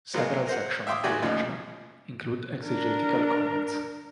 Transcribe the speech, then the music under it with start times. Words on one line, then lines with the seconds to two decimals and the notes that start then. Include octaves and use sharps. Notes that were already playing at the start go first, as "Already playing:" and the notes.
Several sections of the "Yasna" include exegetical comments.
0.14 G#1 F#3 G#3 A#3 F5
0.47 A#4 C5 F#5
0.87 E5 F5 G5 C6 D6 D#6
1.04 B1 E2 F#4 G4 D5 G#5
1.22 D#2 A2 C#3 F3 D#4 D5
2.66 D4 A#4